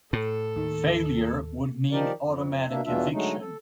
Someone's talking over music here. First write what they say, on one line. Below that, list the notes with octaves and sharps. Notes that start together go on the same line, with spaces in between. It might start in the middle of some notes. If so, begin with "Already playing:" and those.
Failure would mean automatic eviction.
A2 A4
D#2 D#3
D#3 F3 D#4 G4 A#4 D5
F2
B2 A#3 D4 E5
E2 B2 E3 D4 F4 E5
D3 F#3 G#3 A3 D#4
A4